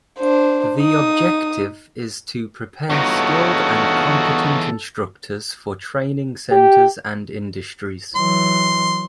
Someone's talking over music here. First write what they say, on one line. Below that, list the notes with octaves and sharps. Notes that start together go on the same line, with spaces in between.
The objective is to prepare skilled and competent instructors for training centres and industries.
D4 C5
D#4 D#6
E2 G2 D#4 F4 F#4 A4 C#5
G4
E3 F#3 C6